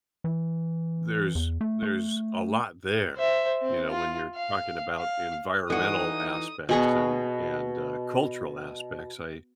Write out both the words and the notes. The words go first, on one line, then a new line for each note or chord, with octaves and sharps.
there's there's a lot there, you know, when you're talking about environmental aspects and and, uh, cultural aspects. I
E3
E2
A3
A3
C5 E5
C4
F4
F5
F5
E3 D#4 F#4 A4 D5 D#6
B2 G#4 C#6